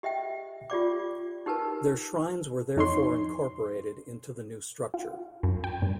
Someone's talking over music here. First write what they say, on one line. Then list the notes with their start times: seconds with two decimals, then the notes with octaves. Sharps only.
Their shrines were therefore incorporated into the new structure.
0.03 G4 D#5 E5 G5
0.70 F4 G4 D5 D6
1.46 D#4 G4 A#4 B4 A5
2.76 F2 D#4 C#5 C6
4.94 F4
5.43 F#2
5.64 G5
5.82 G2